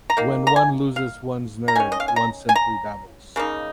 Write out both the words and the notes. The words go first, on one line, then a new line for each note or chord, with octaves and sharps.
When one loses one's nerve, one simply babbles.
A#5
D#3 A#3
A#5
G#5
F5
A#5
D#3 C#4 G#5
D#5
F5
G#5
A#5
G#5
A#5
C#3 A#3 D#4